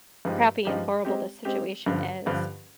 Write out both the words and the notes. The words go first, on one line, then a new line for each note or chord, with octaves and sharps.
crappy and horrible this situation is,
G2 F3 G#3 D#4 G4
G2 F3 G#3 D#4 G4
G#3 C4 G4
G#3 C4 G4
G2 D3 F3
G2 D3 F3